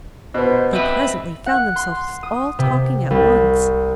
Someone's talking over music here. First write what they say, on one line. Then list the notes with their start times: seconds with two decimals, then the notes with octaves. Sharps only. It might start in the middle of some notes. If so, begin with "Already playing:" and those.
They presently found themselves all talking at once.
0.34 B2 B3 C5
0.73 C4 B4 E5
1.46 F#5
1.76 C6
2.23 D#6
2.59 C3
3.11 C2